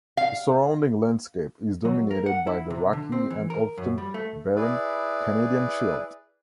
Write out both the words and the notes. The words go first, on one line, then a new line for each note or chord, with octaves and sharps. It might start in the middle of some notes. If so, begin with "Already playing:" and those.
The surrounding landscape is dominated by the rocky and often barren Canadian Shield.
F5
F#3
A#4
F#5
E4
C3
D3
C4
E3
A#4
F#2
G3
A3
E4 G#4 B4 D5